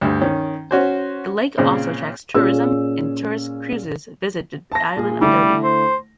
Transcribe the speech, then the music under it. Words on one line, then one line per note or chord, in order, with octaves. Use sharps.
The lake also attracts tourism, and tourist cruises visit the island of Dodi.
D2 G2
D#3 C#4
C#4 F#4 C5
A#2 C#3 C4
A#2 C#4 F4 G#4 E6
A5 A#6
A#2 G#4
D3 G3 A3 E4
C5